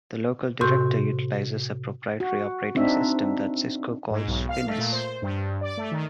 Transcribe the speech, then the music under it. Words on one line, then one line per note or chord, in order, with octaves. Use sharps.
The LocalDirector utilizes a proprietary operating system that Cisco calls Finesse.
A2 C3 F#4 C6 G6
F#4
C4 D4 D#4 E5
G#2
B1
F5
A3
A#2
C5
G2
D5
A3
D#3